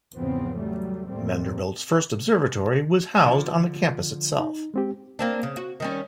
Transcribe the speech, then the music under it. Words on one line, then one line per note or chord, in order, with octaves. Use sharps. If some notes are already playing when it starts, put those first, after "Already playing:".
Vanderbilt's first observatory was housed on the campus itself.
E2 G#2 C#3 F3 B3 C4
F#3 G3 A3
D#2 A2 G3 A3 A#3 C4
D3 F3 D4
D#4
G#3 C4 G4
A#3 C4 D4
C#3
F#4
D#3 G3 C#4